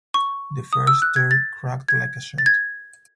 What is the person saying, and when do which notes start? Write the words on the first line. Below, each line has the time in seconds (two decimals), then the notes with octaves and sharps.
The first stair cracked like a shot.
0.14 C#6
0.73 D#6
0.87 E6
1.02 F#6
1.16 G#6
1.31 A6
1.88 G#6
2.38 A6
2.46 G#6